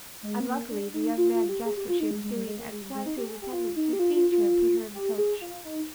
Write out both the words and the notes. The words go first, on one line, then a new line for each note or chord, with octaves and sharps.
Unluckily the young man guessed what she was doing, and signed to his attendants, who seized her and put her in the coach.
G#3
C4
A#3
D4
D#4
F4
F4
G4
G#4
G4
F4
D#4
G#3
G#3
G3
G#3
A#3
G#3
G3
G#3
D#4
G4
G#4
G4
F4
D#4
G4
F4
F4
F4
G4
G#4
F4
D#4